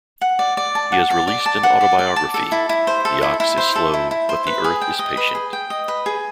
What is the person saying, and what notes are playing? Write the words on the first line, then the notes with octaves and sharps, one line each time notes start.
He has released an autobiography, "The Ox is Slow but the Earth is Patient".
F#5
D5
D5
A5
F#5
D5
D5
A5
F#5
D5
D5
A5
A4
E4
E4
C5
A4
E4
E4
C5
A4
E4
E4
C5
B4
G#4
G5
D#5
B4
G#4
G5
D#5
B4
G#4